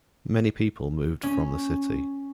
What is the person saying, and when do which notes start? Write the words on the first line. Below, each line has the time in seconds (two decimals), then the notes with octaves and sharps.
Many people moved from the city.
1.23 C#4